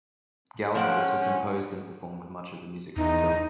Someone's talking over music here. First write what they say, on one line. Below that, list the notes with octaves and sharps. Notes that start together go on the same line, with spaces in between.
Gallo also composed and performed much of the music for the film.
F3 C#4 F#5 G5
E2 D#4